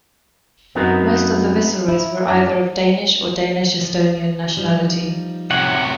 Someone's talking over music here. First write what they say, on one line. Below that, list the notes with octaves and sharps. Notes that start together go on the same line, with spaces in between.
Most of the viceroys were either of Danish or Danish-Estonian nationality.
F#2 B3 C4 D#4 F#4 A#4
E4
F#2 D4
F3
F3 G3 D#4
A2 C3 C#5 F#5